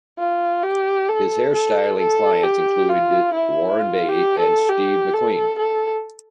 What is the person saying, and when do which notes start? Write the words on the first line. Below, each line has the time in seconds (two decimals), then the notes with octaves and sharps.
His hair styling clients included Warren Beatty and Steve McQueen.
0.18 F4
0.63 G4
1.08 A4
1.53 A4
1.99 A4
2.43 G4
2.89 F4
3.34 E4
3.78 F4
4.08 G4
4.39 A4
4.69 G4
5.13 A4
5.58 A4